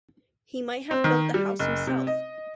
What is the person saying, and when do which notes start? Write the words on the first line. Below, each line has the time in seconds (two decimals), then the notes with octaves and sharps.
He might have built the house himself.
0.91 C4
1.04 D#3
1.34 G3
1.59 F#1
1.87 C3
2.07 D#5